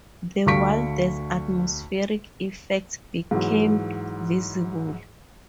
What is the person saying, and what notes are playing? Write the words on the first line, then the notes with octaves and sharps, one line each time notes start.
The wildest atmospheric effects became visible.
D2 D3 F5 C#6 B6 D7
G#2 E3 F#3